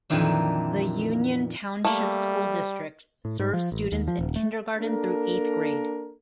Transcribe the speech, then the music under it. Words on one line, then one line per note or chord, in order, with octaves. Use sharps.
The Union Township School District serves students in kindergarten through eighth grade.
F2 A#2 D#3 E3 D4
G3 A3 A#3
A2
G#2
F3
A1
D#2
F3
D#1
A3
A#3 D4 A4 A#4